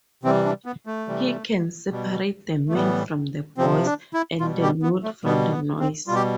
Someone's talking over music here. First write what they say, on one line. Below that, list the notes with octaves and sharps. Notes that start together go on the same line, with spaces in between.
He can separate the men from the boys and the note from the noise.
C3 E3 G3 C4
D4
B3
A3
C3 E3 G3
B2 G3
A3
A2 E3 G3 B3
C3 F3 C4
D4
E4
B2 G3 F4
G4
B3
A3
B2 G3 B3
B3
C4
B2 G3 F4 G4